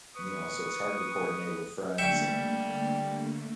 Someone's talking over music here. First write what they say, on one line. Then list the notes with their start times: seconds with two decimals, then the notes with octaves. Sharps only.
you know, so it's hard to coordinate with friends and,
0.16 B4 C#6 D#6
1.98 D3 G3 A3 A#3 E5 G5 C#6